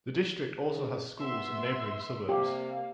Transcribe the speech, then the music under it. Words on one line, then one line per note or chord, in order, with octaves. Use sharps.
The district also has schools in neighboring suburbs.
C#3
B3 E5 C6
C3 A#3 G4 F5